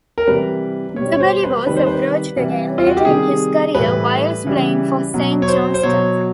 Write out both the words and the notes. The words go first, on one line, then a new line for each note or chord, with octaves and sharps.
Duberry was approached again, later in his career, whilst playing for Saint Johnstone.
A#4
C3 E3 G3 B4
B2 G3 C#5
C#5
C5
B4
C3 D#3 G3 B4
C5
B4
C3 E3 G3
F4
F#4
G4
C3 D#3 G3 G#4
A2 E3 G3 B4
C#3 E3 G3
B2 F#3
C#5
C5
C5
B2 F#3 C#5